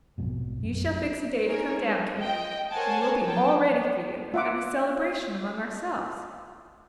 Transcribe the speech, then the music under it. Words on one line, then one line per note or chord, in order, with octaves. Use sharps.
You shall fix a day to come down, Katy, and we'll be all ready for you, and have a 'celebration' among ourselves.
A#1 F2 G#2 B2
F#2
D#4 G#4 A#4 C#5
G#3 F4
D#5 G5
A#4 C5 C#5 F#5 G#5 A5
F3 F#3 G5 A5
F4 E5 F#5 D6